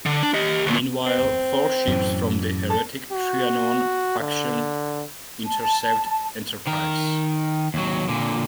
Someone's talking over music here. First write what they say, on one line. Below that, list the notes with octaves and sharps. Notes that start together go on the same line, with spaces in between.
Meanwhile, four ships from the "heretic" Triannon faction intercept "Enterprise".
D3
D4
G4 D#5
D2 A#2
C4
F#2 A2 E3
A4
F#4
D3
A5
D#3 A#4
D#2 F#3
A#2 D3